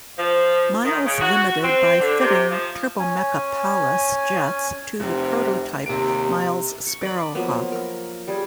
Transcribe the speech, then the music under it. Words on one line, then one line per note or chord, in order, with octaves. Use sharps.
Miles Limited by fitting Turbomeca Palas jets to the prototype Miles Sparrowhawk.
F3
D#3
C#3
F#4
C4
D3
C3
F3
C#4 G#5
F1 C3
D#2 C3 D7
C#6
D5 D#5 B5
F3 F#3 A#3 B3
A#4
G3 G#4